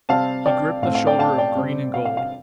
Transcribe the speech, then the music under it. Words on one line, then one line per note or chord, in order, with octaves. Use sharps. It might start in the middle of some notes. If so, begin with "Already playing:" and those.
He gripped the shoulder of green and gold.
C3 G3 C4 F5 A5
D5 G5
A2 A3 C4 F5
F5
D5 G5
F5 A5
D5 G5
C3 G3 C4
F5
F5
F5